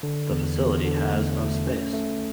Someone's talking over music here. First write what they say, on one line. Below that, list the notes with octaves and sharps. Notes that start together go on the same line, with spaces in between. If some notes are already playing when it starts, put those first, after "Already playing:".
The facility has of space.
D3
E2
E2
D3
A3
A3
C#4
A3